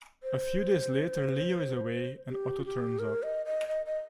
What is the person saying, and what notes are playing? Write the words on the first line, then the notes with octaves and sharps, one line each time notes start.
A few days later, Leo is away, and Otto turns up.
C5
G4
F4
G4
A#4
D#5
D#5
D#5
D#5